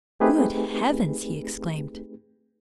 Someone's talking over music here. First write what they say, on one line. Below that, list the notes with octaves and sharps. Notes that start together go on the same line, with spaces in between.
"Good heavens!" he exclaimed.
A3 C4 D#4 G4 G#4 B4